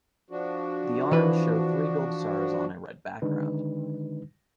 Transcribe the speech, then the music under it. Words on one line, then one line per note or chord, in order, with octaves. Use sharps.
The arms show three gold stars on a red background.
F3 D4 F#4
E3 B4
D3 D#3 G#3 D4 D#4 B4